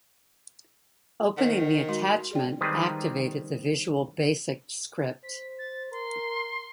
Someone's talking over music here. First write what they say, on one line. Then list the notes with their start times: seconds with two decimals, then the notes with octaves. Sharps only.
Opening the attachment activated the Visual Basic script.
1.37 D#3 C5 F#5
1.89 G#3 F#4 C6
2.31 G#4 D5 G5
2.61 D#3 G3 G#3 C4 G#4 B4
5.23 C5 B6
5.59 A6
5.92 A#4 C6